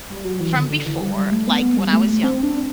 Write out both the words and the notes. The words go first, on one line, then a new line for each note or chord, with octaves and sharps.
from before, like, when I was younger,
G3
F#3
E3
D3
D3
E3
G3
G3
A3
B3
B3
G3
A3
C4
D4